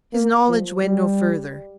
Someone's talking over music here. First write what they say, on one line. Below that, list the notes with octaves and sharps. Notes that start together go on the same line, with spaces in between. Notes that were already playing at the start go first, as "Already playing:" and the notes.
His knowledge went no further.
A#3
F3
G3